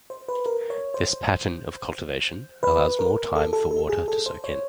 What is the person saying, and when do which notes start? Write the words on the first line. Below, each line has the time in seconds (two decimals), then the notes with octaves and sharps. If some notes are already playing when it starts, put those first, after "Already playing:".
This pattern of cultivation allows more time for water to soak in.
0.10 C5
0.28 B4
0.46 A#4
0.70 C#5
0.94 C5
2.63 B4
2.99 A#4
3.36 A4
3.53 A4
3.71 A4
3.89 G#4
4.08 A4
4.26 C5
4.44 C#5